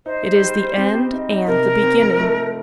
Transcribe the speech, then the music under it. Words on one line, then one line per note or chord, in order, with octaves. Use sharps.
It is the end and the beginning.
D#4 C5
D#4
G3
G3
C4
G4
D#4
D#4
C3 A#4
C3
C4
F3
A3
A3